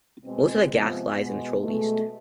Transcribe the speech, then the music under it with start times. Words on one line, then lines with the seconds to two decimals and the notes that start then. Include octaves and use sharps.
Most of the gas lies in Troll East.
0.23 B2 G#3 C4
0.69 C3 F3 G#3 B3
1.16 B2 G#3
1.61 B2 G#3 A3